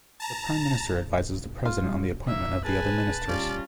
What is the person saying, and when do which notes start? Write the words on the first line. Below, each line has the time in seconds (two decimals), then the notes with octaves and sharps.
The Prime Minister advises the President on the appointment of the other Ministers.
0.20 A5 A#5
1.65 F4
1.83 G3
2.28 A#3 E5
2.65 G#4 B4 G#5 A5
3.28 G3 C#4 F4 D5